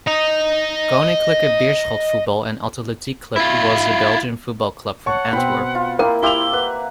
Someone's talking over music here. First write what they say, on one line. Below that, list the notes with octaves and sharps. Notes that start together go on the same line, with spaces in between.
Koninklijke Beerschot Voetbal en Atletiek Club was a Belgian football club from Antwerp.
D#5 A#5
E4 F4
C#5 F#5 A5 C#6
B2 C4 G5 B5
F4
A#3 E4 A#4 G5
E4 F4 G4 E5 F7 G7
B4 F#5